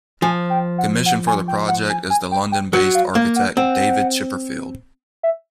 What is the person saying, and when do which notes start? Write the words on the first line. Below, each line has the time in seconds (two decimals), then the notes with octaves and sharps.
Commissioned for the project is the London-based architect David Chipperfield.
0.22 F3 G#5
0.50 G5
0.78 F#5
1.06 F#5
1.27 G#5
1.48 G5
1.68 F#5
1.90 G#5
2.10 G#5
2.32 G5
2.52 G5
2.73 F#3 F#5
2.95 F5
3.15 A#3 F5
3.36 F#5
3.57 C4 F#5
5.23 E5